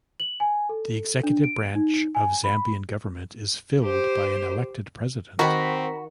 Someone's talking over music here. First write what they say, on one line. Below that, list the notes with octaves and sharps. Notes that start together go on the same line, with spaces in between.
The executive branch of Zambian government is filled by an elected president.
F#7
G#5
A4
D4
D7
D#4
G#5
B5
G4 C5
D#3 C4 F#4 A#5 B5